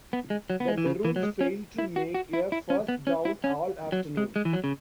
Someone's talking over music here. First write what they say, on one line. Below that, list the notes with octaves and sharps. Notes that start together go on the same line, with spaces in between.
The Maroons failed to make a first down all afternoon.
B3
G#3
F#3
B3
G#3
E3
C#3
E3
F#3
G#3
C#4
E4
F#4
F#4
E4
E4
C#4
B3
C#4
E4
C#4
F#3
G#3
G#3
E3
F#3
C#3